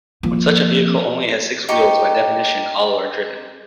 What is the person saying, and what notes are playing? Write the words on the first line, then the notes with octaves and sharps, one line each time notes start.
When such a vehicle only has six wheels by definition all are driven.
F3 A#3
D#4 G4 C#6